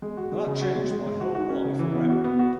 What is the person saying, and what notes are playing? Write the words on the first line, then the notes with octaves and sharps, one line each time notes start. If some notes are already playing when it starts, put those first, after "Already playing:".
That changed my whole life around.
G#3
F#4
G#3
C#3
F#4
G#3
G#3
G#3
F#4
F#4
C#4
C#3
E3
B3
F#4
B3
F#4